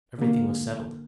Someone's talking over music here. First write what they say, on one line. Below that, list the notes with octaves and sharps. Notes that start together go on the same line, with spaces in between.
Everything was settled.
D3 A#3